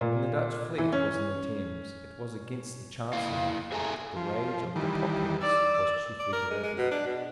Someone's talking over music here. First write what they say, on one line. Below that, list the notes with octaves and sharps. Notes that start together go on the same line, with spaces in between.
When the Dutch fleet was in the Thames, it was against the Chancellor that the rage of the populace was chiefly directed.
A#2
E3
C#4
A#3 E4 F5
G#4 A4 E5 G#5 A#5
F3
D#3 E3 G3
D5 E6
D5
A#4
G#3
G#3
B2
D4
B2